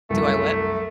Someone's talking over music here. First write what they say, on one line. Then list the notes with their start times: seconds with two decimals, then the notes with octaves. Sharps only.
Do I what?
0.10 C2 F#2 A3